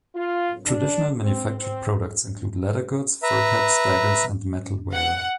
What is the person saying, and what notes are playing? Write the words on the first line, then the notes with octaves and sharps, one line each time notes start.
Traditional manufactured products include leather goods, fur caps, daggers, and metalware.
F4
D4
C4
C4
B4 E5 A#5
F#5